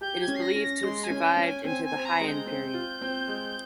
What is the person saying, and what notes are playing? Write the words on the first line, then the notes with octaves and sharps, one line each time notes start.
It is believed to have survived into the Heian period.
G4 G6
G#6
C#4
C7
A#6
C#4
A#6
G#3 C6
G#5
C#4
G5
C#4
G#5
C4 G#5
G#5
C4
A#5
G#3
G6
C4
F4
C4
G#3